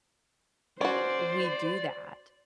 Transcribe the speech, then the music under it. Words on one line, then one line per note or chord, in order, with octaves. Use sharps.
we do that.
C#4 F#4 C5 D5